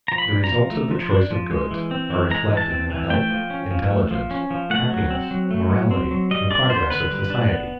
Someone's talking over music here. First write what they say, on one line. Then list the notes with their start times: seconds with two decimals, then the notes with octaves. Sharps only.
The results of the choice of goods are reflected in the health, intelligence, happiness, morality, and progress of society.
0.08 F3 A#5
0.18 B5
0.31 D4
0.44 A#5
0.51 F3
0.71 A3
0.91 F3
1.11 D4
1.31 F3
1.51 G#3
1.71 E3
1.91 C4
2.10 E3
2.30 G#3 A#5
2.50 E3
2.57 A5
2.71 C4
2.90 E3
3.10 A3 G5
3.30 F3
3.50 C#4
3.71 F3
3.90 A3
4.11 F3
4.31 C#4
4.50 F3
4.70 A3 F#5
4.90 F#3
5.10 C4
5.31 F#3
5.51 A3
5.70 F#3
5.91 C4
6.11 F#3
6.31 G3 D#5
6.50 D4 D5
6.70 B3 C5
6.90 D3 B4
7.11 G3
7.30 D4
7.50 B3